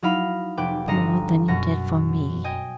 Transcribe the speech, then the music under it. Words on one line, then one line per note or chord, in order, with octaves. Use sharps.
"More than you did for me?"
F#3 D#4 E4 F5 B5
F1 B4 G5 D6
G1 D#5 A#5 C7 C#7
F#2 B2 C#6 A#6
D#5 G5 G#5